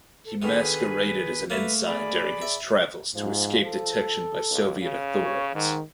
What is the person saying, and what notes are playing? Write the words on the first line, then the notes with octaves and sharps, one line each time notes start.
He masqueraded as an ensign during his travels to escape detection by Soviet authorities.
A4
B2 D3 D#3 G#4 B4
A3 A#3 B4
G#4 D5 B5
E5
G#2 F3
A4
C#2
C#3
C#5
G#2 D#3